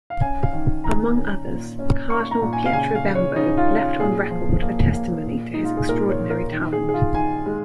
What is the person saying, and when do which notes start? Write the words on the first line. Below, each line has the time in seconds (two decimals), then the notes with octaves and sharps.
Among others, Cardinal Pietro Bembo left on record a testimony to his extraordinary talent.
0.10 F5
0.21 C#4 G#5
0.43 F5
0.53 D#3
0.84 D#3 A#5
1.16 C#4
1.47 A#2
1.79 C#4
2.10 A#3 C#6
2.31 A#5
2.42 A#2
2.53 G#5
2.66 F5
2.73 C#3 G#5
2.95 F5
3.05 C#3
3.15 C#5
3.36 C#3 D#4
3.57 F4
3.68 C#4
3.78 F4
3.99 A#2 G#4
4.31 F3
4.62 A#3
4.94 A#3
5.26 A#2
5.54 G#3 D#4
5.65 F4
5.77 G#4
5.88 A#2 A#4
6.09 C#5
6.19 A#2
6.30 A#4
6.51 D#3
6.73 G#4
6.84 D#3
6.89 G#4
6.94 F4
7.15 D#3 G#5
7.46 G#3